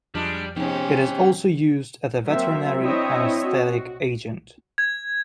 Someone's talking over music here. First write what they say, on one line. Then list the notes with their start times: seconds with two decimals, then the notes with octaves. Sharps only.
It is also used as a veterinary anesthetic agent.
0.15 F2 F3 G3 G#3 D4 F6
0.56 G#2 C3 F3 B3 C#4 D#4 G#4 G5
2.27 F#3 A#3 C4 E5
2.79 C4 D4 E4 C#5 D#5 E5
3.47 F#4
4.78 G#6